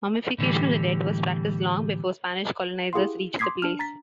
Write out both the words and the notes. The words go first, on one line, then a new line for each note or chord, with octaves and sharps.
Mummification of the dead was practiced long before Spanish colonizers reached the place.
A2 D3 E3 G3
E4 G4 G#4 F5 F#5 C6
C6 D6 D#6 G#6 B6 C7
D4 F6
A#5 A6 B6